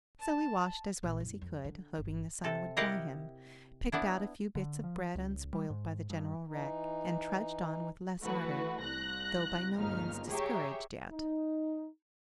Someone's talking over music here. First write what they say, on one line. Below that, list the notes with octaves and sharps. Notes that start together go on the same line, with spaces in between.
So he washed as well as he could, hoping the sun would dry him, picked out a few bits of bread unspoiled by the general wreck, and trudged on with less ardor, though by no means discouraged yet.
A5
A#1
F#1
F2
D3
G1
C3 A4
E4 G4 A#4 D#5 F5 F#5
B3 D4 E4
D3
F3
C#2
G3
G#2
G2
E3 D#4
E3 A3 F#4 B4
C2 F#6 A#6
G1 C#2 A#2 D#4 F6
G4 G#4 C#5 E5 A#5
D#4